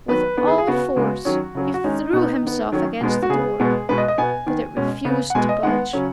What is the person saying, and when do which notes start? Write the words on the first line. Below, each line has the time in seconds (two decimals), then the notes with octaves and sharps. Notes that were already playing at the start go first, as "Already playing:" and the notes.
With all force he threw himself against the door, but it refused to budge.
0.08 D#3 F#3 B3 B4
0.38 B3 B4
0.43 D#3 G#4
0.58 G#4
0.67 C#3 B3 F#4
0.96 C#3 G#3 B3
1.25 D#3 F#3 C#4
1.55 C#3 F#3 C#4
1.74 F#4
1.84 D#3 G#3 C#4 D#4
2.13 B2 B3 D#4
2.42 D#3 B3
2.72 D#3 F#3 C#4
3.01 B2 G#3 B3
3.22 F#4
3.29 C#3 B3 G#4
3.60 B2 G#3 B3
3.89 B2 G#3 B3 B4
3.98 D#5
4.08 D#5
4.18 B2 B3 G#5
4.46 D#3 B3
4.77 B2 G#3 C#4
5.05 C#3 B3
5.30 F#5
5.35 B2 G#3 B3 G#5
5.49 D#5
5.63 D#3 G#3 B3 F#5
5.93 C#3 F#3 C#4